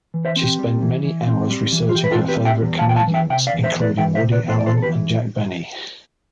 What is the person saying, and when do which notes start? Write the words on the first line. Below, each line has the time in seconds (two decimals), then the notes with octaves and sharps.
She spent many hours researching her favorite comedians, including Woody Allen and Jack Benny.
0.14 E3
0.25 C5 E5
0.36 C4
0.42 G4
0.59 G3
0.82 E3
1.04 E3
1.27 C4
1.50 G3
1.72 E3
1.89 F4
1.94 E3 G4
2.04 B4
2.11 F4 A4
2.18 C4
2.28 G4 B4
2.40 G3
2.45 E5 G5
2.62 E2
2.79 F5 A5
2.85 E2 G5
2.96 F5 A5
3.07 E3
3.14 E5 G5
3.30 C3 E5 G5
3.47 D5 F5
3.53 E2
3.64 C5 E5
3.75 E2
3.81 B4 D5
3.97 E3 E5 G5
4.15 C5 E5
4.21 C3
4.32 B4 D5
4.43 E2
4.48 A4 C5
4.59 D5
4.66 E2 A4 C5
4.77 A4
4.82 G4 B4
4.89 E3